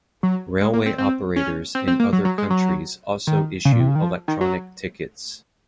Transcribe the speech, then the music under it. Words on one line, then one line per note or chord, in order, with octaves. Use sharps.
Railway operators in other countries also issue electronic tickets.
F#3
G#3
A#3
C4
C4
C#4
C4
C4
A#3
F#3
F#3
G#3
F#3
D#3
C#3
A#2
C3
C#3
D#3
F3
D#3
F#3